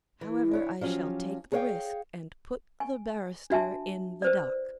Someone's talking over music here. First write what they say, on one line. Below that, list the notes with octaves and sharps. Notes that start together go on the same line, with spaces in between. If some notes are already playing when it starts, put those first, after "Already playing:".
However, I shall take the risk, and put the barrister in the dock.
E3
D4 E4 C#5
F3 F#3 C#4 F4 G4
G#4 A4 C#5 D5 F5 G5
G#5
D4 F#4 E5 G#5 A5
B4 C5 D5